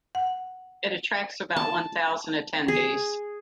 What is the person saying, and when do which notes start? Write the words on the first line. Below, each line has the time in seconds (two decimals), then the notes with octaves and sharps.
It attracts about one thousand attendees.
0.15 F#5
1.56 A5
2.68 G#4